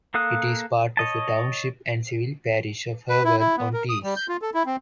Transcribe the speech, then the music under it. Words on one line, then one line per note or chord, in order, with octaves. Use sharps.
It is part of the township and civil parish of Hurworth-on-Tees.
A#3 A4 F5 D#6 F#6
C#5 D#5 A5
B4
E4
E4
B3
A#4
D#6
G3
G6
F4
A4
E4
C4